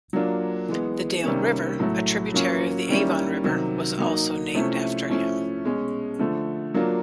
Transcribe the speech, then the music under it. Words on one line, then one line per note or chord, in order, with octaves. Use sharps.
The Dale River, a tributary of the Avon River, was also named after him.
F#3 A#3 D4 F4
E3 G#3 B3
C3 D#3 G3 A#3 C#4
A2 F#3 A3
F#3 A#3 C#4 F4
D#3 G3 A#3 C#4 E4
C3 D#3 F#3
F#3 A#3 D#4
C3 F3 A3 C#4 E4
F3 A3 C#4 E4
B2 G#3 C#4
D3 F3 A3
F#3 A#3 D4 F4